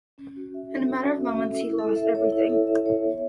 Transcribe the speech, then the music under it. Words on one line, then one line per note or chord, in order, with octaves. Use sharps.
In a matter of moments, he lost everything.
C#4
F#4
E5
A4
C#4
F#4
E5
A4
E4
A4
E5
C#5
E4
A4
E5
C#5
B3